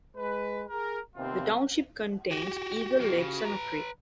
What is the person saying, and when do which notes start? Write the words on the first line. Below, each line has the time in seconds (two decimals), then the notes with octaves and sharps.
The township contains Eagle Lake Cemetery.
0.15 G#3 B4
0.69 G#4 A#4
1.16 D#2 C3 B3 C4 F4
2.31 F#4 G4
3.00 F2 A#3
3.19 C#3
3.41 B4 A#5